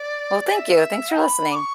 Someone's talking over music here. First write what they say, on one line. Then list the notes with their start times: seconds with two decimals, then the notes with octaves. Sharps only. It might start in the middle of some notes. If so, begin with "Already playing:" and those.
Well, thank you. Thanks for listening.
Already playing: D5
0.54 E5
1.19 B5
1.51 D6
1.56 C#6